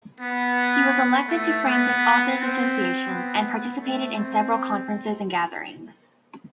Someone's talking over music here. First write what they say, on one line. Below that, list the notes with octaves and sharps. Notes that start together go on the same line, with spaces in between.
He was elected to France's Authors' Association, and participated in several conferences and gatherings.
B3
A3
B3
C4
B3
A3
C4